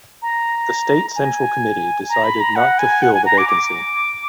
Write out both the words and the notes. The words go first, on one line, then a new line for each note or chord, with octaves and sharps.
The state central committee decided not to fill the vacancy.
A#5
G#5
A#5
B5
A#5
F#5
G#5
F#5
G#5
A#5
D6
D6